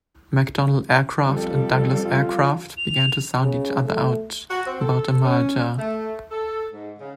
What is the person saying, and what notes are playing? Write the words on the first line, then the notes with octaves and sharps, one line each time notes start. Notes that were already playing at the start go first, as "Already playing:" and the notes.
McDonnell Aircraft and Douglas Aircraft began to sound each other out about a merger.
F2 G3 A4
F4
F7
C#3
A3
F#4
C4
A4
C#4
A3
A4
G#2
C#3